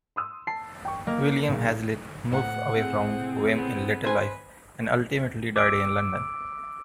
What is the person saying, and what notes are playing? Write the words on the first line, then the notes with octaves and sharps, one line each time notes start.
William Hazlitt moved away from Wem in later life and ultimately died in London.
C6 D#6 E6
A5 C7
G5 C#6
A#3 D#5
B1 G#2
A2 C5 F#5
C4 G#4
B3
B4 C5 G#5
D6 E6 D7